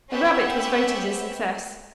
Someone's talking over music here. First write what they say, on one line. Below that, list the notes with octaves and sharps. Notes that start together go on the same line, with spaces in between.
The rarebit was voted a success.
C#4 G4 B4 C5 E5 F#5